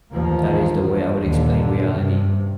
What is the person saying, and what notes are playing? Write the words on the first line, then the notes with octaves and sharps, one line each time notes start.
That is the way I would explain reality.
A1 D#2 F3 A#3
D#2 A#2 D3
G2 C3